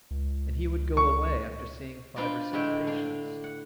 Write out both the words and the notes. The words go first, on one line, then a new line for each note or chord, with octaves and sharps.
And he would go away after seeing five or six patients.
C#2
C#6
D4 F4 B4 C5 D5 D#5
A2 D3 G#3 E5 G5
D4 F5
F#5